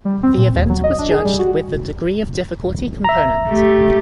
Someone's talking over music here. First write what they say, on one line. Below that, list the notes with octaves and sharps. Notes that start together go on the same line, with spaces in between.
The event was judged with the degree of difficulty component.
G3
C4
A#2
D#2
F#3
D#5
D4
G#4
G3
F#4
E5 A#5
A3 G4